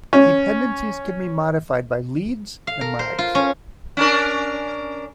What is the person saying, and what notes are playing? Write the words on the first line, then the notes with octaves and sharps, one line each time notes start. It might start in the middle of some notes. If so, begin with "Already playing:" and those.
Dependencies can be modified by leads, and lags.
C#4
F5
A#4
C5
F4
C#4
C#4 D4 A#4